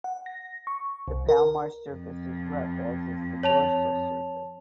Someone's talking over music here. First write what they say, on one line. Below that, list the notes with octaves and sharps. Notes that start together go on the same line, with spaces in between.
The palmar surface is rough, as is the dorsal surface.
F#5
A#6
C#6
C2
A#4
F2
C#5 A5 F7